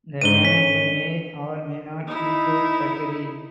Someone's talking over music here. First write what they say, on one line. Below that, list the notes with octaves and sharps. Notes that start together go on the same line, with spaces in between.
The management may or may not include surgery.
D2 G#2 D#7 G7
C#4 B6
D#4 E4